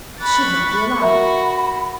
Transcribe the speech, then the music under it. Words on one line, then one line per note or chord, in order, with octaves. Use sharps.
It should not be allowed.
B5 C#6 F#6 A6
F#4 A#4 E5 A#5 B5